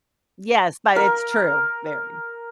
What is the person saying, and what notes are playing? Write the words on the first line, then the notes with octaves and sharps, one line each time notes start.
Yes, but it's true, very.
A#4